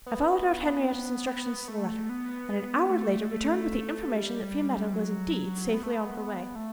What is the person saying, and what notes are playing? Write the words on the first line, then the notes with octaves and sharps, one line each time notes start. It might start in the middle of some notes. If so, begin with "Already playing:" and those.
I followed out Henriette's instructions to the letter, and an hour later returned with the information that Fiametta was, indeed, safely on her way.
B3
B3
A3
B3
B3
A3
A3
G3
F#3
B3
A3
B3
A3